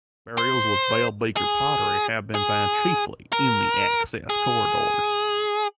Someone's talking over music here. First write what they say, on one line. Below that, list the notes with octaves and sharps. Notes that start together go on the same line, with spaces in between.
Burials with bell beaker pottery have been found chiefly in the access corridors.
C5
G#4
G#4
A#4
G#4